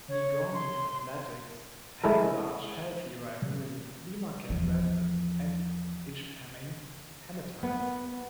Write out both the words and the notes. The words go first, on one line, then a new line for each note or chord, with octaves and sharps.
Negaunee athletics have a large, healthy rivalry with the Marquette Redmen and Ishpeming Hematites.
C#5
C6
G#3 E4 A4 A#4
E2 F3
B3